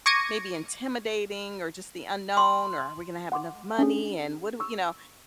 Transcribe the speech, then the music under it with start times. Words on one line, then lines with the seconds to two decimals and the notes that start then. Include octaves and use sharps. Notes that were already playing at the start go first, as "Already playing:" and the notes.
maybe intimidating, or just the unknown, or "Are we gonna have enough money, and what do we" you know,
0.06 C#6 D6 G#6 A#6 C#7 D#7
2.37 C6
3.32 F#5 C6 D6
3.79 C#4 D4 G#4
4.60 C#6 E6